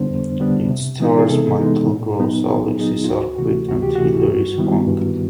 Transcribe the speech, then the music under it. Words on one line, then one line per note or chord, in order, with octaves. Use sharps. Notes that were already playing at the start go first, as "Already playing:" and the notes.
It stars Michael Gross, Alexis Arquette, and Hilary Swank.
Already playing: F2 D3 G3 B3 D4 C5
F2
D3 G3 B3 D4
C3
E3 G#3 B3 D#4
G#4
C3 A4
E3 G#3 B3 D#4
A#2
F#3 B3 D#4
A#2 G#4
F#3 B3 D#4 G#4
F4
D2 F#4
C3 E3 A3 F#4
D2 F#4
G4
C3 E3 A3 F#4
G2
D#3 G3 B3 E4
G2